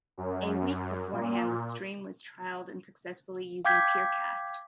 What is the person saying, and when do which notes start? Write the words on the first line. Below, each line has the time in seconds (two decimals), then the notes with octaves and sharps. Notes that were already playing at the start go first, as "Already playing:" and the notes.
A week beforehand the stream was trialled unsuccessfully using peercast.
0.18 F#2
1.12 A#2
3.65 F5 G5 D6 G6 G#6 B6